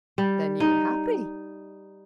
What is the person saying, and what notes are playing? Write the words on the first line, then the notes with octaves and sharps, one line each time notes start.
"Then you were happy."
G3
D#4